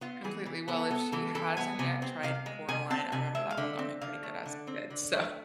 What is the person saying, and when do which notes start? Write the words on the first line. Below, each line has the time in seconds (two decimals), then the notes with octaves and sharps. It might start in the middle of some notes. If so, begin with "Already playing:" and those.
Completely, well, if she hasn't yet tried Coraline, I remember that one got me pretty good as a kid, so
0.01 B3 F4
0.24 E3 G#4
0.46 E3
0.68 B3 A4
0.91 B3 A4
1.12 E3 A4
1.35 E3 A4
1.57 B3 G#5
1.79 C3 G#5
2.02 C4
2.23 C3 F5
2.46 G#3
2.69 C3 G#5
2.90 C4 A5
3.12 C3 G#5
3.35 G#3 E5
3.51 F5
3.57 D3 E5
3.79 C4
4.01 D3 F5
4.23 A3
4.46 D3
4.67 C4
4.90 D3
5.13 A3